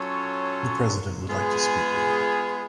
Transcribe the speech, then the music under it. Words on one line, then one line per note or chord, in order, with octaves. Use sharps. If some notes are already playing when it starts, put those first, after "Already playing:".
The President would like to speak with you.
Already playing: F#3 C#4 F4 A4 C#5
G#3 B3 F4 G#4